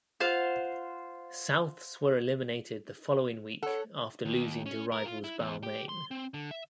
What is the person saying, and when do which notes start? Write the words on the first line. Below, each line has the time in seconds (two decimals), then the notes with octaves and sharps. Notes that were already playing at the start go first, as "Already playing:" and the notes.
Souths were eliminated the following week after losing to rivals Balmain.
0.20 F4 C5 F5 F#5
3.63 A4 C#5 F#5
4.25 D#2
4.66 C#4
4.92 A#4
5.05 F4
5.24 E4
5.39 E2
5.63 G4
5.89 C6
6.11 C4
6.34 D3
6.51 E5